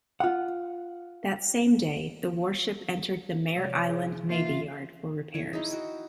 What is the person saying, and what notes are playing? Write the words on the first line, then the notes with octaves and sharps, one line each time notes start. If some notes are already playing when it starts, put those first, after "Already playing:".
That same day, the warship entered the Mare Island Navy Yard for repairs.
F4 F#5
C3 F3 G#3 C#5 D5
E4 G#4
E3 A#3 D#4 F4 E5
E3 C#5
D#4 E4 G#4
F#4 G5